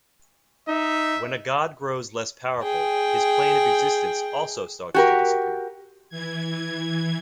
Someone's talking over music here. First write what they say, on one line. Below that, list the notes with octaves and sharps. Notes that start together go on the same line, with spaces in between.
When a god grows less powerful, his plane of existence also starts to disappear.
D#4 E5
G#4 G5
F#4 G4 A#4
E3 G#6